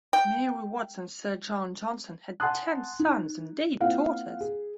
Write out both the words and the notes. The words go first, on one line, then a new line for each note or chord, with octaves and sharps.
Mary Watts and Sir John Johnson had ten sons and eight daughters.
G5
F#5 G#5 A5 C6 D#6 F#6
D#4
A#3 C4 E4 F4 F5 F#5
G#4